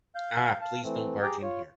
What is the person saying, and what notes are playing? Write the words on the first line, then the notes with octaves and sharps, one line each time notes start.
Ah! Please, don’t barge in here! ...
F5 G6
F5 A5
E3 A3 C4
G4 G#4 G5 A#5 D6
F4 C#5